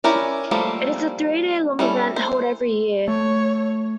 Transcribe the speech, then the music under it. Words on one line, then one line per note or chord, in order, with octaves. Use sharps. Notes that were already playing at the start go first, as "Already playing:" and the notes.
It is a three-day-long event held every year.
C#4 E4 G4 A#4 D5
F3 G3 A3 A#3 A4
G3 C#4 E4 A4
C5
A3 C#5